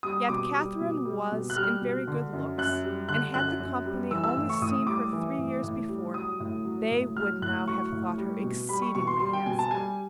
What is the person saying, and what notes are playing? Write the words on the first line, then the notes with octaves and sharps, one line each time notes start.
Yet Catherine was in very good looks, and had the company only seen her three years before, they would now have thought her exceedingly handsome.
G3 D#6
B2 D6
G3
B2
G3
B2
F#6
G3 F6
B2
D3
F#2
F#2 F#6
G3
D3 F#6
F#2 F#6
F#2
G3
E3 E6
E6
A2
C#6
A2 D#6
G3 D6
E3
A2
A2
G3
F#3 D#6
A2
F#3
A2
F#3 F6
A2 F#6
F#3 C#6
A2
G3
B2
G3 B5
C#6
B2 C#6
C6
G3 C6
G5
B2 G#5
A5
G3 G#5